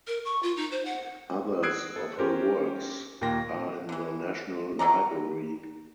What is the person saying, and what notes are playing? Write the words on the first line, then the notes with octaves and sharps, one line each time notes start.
Others of her works are in the National Library.
A#4
C#6
F4
D#4
C5
F#5
D#6 E6 F#6 G#6 C7 D7
A4
C#4 G4 A#4 C5
D#2 A#2 A#3 G5 A#6
D3 E3
F#3 A4 D5 A#5